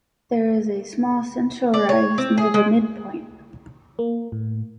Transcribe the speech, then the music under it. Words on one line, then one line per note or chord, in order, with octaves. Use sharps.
There is a small central rise near the midpoint.
D5
C#5
C4
G#4
G#3
A#3
A2